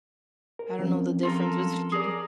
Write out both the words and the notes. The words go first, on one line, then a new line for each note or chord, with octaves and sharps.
I don't know the difference between
A#4
F3 C4 C#4
F4 A4 A#4
G#4 A#4 D5